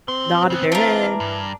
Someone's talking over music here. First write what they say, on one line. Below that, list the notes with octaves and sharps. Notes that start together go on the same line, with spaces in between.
Nodded their head.
A#2 C4 C6
C#3 B3
E3 D4 F4 A#4
G2